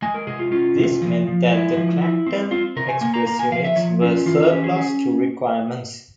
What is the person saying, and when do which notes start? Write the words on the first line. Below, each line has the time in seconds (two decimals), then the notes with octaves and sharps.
This meant that the "Clacton Express" units were surplus to requirements.
0.02 G#3 G#5
0.14 A#4
0.27 C3 G#4
0.39 F4
0.51 C#4 F4
0.77 C3
1.02 F3
1.27 F3
1.52 G#3 E4
1.77 F3
2.02 E4
2.27 C4
2.51 C4 F4
2.76 C3 A#4
2.88 G#5
3.01 A#3 G#5
3.14 A#5
3.26 A#3 A#5
3.39 G#5
3.51 F3 F5
3.64 E5
3.76 F3 C#5
4.02 C#4 F4
4.26 E3 F4
4.51 C#4 G4
4.64 G#4
4.76 C#4 G#4